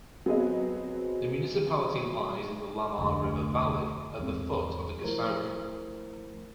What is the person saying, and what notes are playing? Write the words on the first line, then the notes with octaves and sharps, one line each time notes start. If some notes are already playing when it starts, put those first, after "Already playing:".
The municipality lies in the Lammer River valley at the foot of the Gosaukamm.
F#3 B3 C4 G#4 B4 D#5
F1 D2
E2 G#2 C4
F3 A3 E4 A#4 C5